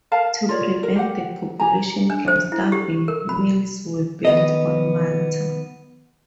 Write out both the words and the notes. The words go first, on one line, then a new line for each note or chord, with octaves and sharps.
To prevent the population from starving, mills were built on Malta.
A#4 F5 A5
F4 A#4 C#5 D5
A#4
G4 F#5
G4 G#5 A#5
D4
C5
E4
G4
A#4
B5
D#3 B3 D#5